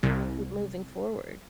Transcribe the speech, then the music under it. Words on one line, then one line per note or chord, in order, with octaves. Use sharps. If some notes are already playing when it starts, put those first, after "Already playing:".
keep moving forward.
C2